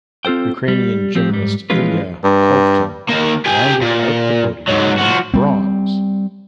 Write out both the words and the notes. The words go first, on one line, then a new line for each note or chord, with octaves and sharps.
Ukrainian gymnast Illia Kovtun rounded out the podium in bronze.
C4 F4 A4 C5 G5
G3
F3 C4 G4
G#2 G3
E3 F3 G#3 C#4 F4 B4
G2
D#3 A#3
G4 G#5
A#2
G#2 F#3
F3 F#4
G3 C4